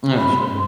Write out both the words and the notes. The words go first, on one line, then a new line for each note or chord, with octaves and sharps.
Oh, sure.
B5
C6